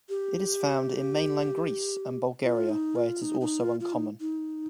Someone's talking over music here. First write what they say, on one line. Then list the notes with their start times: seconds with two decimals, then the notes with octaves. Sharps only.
It is found in mainland Greece and Bulgaria, where it is also uncommon.
0.09 G4
2.44 F4
2.69 D#4
2.96 F4
3.22 D#4
3.41 D#4
3.61 F4
3.80 F4
3.93 D#4
4.20 D#4